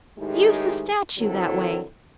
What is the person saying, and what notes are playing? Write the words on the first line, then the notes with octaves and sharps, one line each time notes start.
"Use the statue that way."
A2 D#3 G#3 D#4 G4 G#4
D3 D#3 F#3 C4 E4 A4